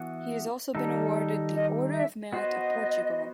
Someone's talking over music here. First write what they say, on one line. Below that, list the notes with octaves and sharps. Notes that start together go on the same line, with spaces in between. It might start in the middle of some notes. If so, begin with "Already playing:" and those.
He has also been awarded the Order of Merit of Portugal.
Already playing: E3 B3 F#4
D#3 G3 D#4 A4
D#5
E5
B3 F#4 C5 D#5